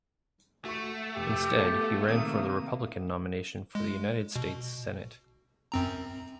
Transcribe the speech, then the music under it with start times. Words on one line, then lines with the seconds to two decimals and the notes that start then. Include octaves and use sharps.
Instead, he ran for the Republican nomination for the United States Senate.
0.65 A3 F#4 C#6
1.16 F1 G4
1.59 B3 F4 A4 E5
2.08 C3 D#3 G#3 A#3 D#6
3.75 G#3
4.36 B2
5.72 F#2 C4 A#5